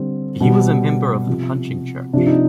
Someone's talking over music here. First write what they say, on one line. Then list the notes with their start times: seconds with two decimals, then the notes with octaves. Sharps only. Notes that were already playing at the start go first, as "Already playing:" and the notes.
He was a member of the Punching Church.
Already playing: D3 G3 C4
0.41 B2 G3
1.27 C3 F3
2.13 C3 F3 D4
2.27 D#4